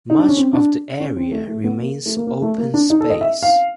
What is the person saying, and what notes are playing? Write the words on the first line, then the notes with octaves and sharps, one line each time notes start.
Much of the area remains open space.
D#4
D4
C#4
C4
D4
C#4
C4
A3
A3
B3
A#3
A3
A#3
A#3
A3
A#3
D4
D#4
A4
D#5
E5
F5